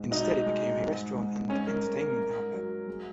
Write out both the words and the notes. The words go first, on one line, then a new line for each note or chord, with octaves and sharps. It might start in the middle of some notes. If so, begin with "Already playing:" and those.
Instead it became a restaurant and entertainment outlet.
Already playing: G#2
B2 D#4
G#3
G#2
G#2
G#2 C#4
A#4
G#2
A#4
G#2
F#3
G#3